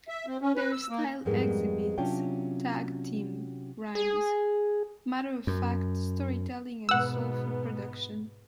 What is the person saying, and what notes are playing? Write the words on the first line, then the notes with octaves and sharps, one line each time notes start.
Their style exhibits tag-team rhymes, matter-of-fact storytelling and a soulful production.
E5
C4
C#4
B4
E6
A#3
F2 G#2 G3 G#3 B3 A#4
C3 F#3 C#4 D4 F4 G5
G#4
F#2
G#2 B2 B3 F#5 E6